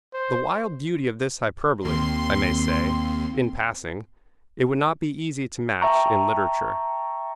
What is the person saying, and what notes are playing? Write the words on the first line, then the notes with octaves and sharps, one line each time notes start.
The wild beauty of this hyperbole, I may say, in passing, it would not be easy to match in literature.
C5
D#2 A#3 C4 C6
E5 G5 A5 A#5 C#6